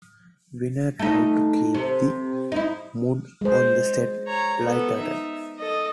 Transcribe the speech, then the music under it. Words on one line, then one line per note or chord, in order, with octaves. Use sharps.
Winner tried to keep the mood on the set lighthearted.
A3 D#4
C3
D#4 E4
G#3 C5
C#5 A#5
B3 A4
D#4 E5
A4 D#5